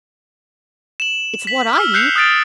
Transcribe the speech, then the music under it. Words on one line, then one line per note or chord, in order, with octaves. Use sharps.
"It's what I eat."
E7 F#7
B6 F#7
E6 F6
F#6 G6 C7 C#7 F7
D#6 F6 A6 D7